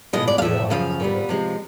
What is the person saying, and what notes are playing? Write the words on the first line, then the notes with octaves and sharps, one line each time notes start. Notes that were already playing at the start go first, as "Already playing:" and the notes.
If you want to say that.
A2 F3 G#3 B3 D#5
D5
F5
A2 F3 A3 E5
F#2 C#3 F3 F5
A#2 G3 B3
C3 F3 G#3